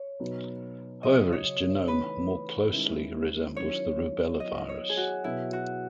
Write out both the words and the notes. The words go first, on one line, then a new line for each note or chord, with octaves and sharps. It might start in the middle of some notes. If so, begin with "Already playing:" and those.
However, its genome more closely resembles the rubella virus.
Already playing: C#5
B2 F#3 B3 D#4
C#3 F#3 C#4 D#5
C#5
E3 A3 D#4 B4
D#3 G#3 C#4 E4
D#3 F#3 C#4 E4 C#5
F#3 B3 E4 D#5
C#5
G#4
F#4
B2 F#3 B3 E4
F#4